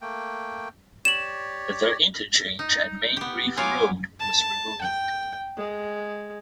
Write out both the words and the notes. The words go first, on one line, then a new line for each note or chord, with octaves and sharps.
The interchange at Main Reef Road was removed.
A3 A#3 G5
G4 C#5 D5 E7 F#7
D#4
B3 G4
F#3 B3 F4 G#5 D6
A5
G5
G#3